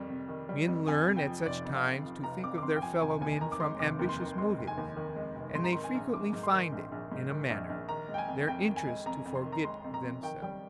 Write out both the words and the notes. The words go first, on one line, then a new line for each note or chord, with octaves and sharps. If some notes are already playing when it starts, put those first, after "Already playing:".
Men learn at such times to think of their fellow-men from ambitious motives; and they frequently find it, in a manner, their interest to forget themselves.
Already playing: F2 D#3 G3
C3
D#3
G3
F2
F2 G#5
C3
G5
F3
F1 D5
F2
F5
C3
F3
F1 A#5
F2 D6
D6
C3 C6
G5
F3 G#5
F1 G#5
D#2 G#5
G#5
D#3 A#5
D6
G#3 C6
F1 D6
D#2
C6
D#3
G#3 C6
F1
G#5
D#2
D#3
G#3
F1
G#2 C6
A#5
D#3 C6
G#5
A#1
A#1 D6
G#2
C6
D#3
A#1
A#1
G#2
D#3
A#1
A#1
D#3 A#5
G#3
G5
G#5
F2
F2 G5
D#3
G#5
G#3
F2 A#5
F2
C6
D#3
A#5
G#3 C6
F2
A#5
F2
D#3 G5
G3 G5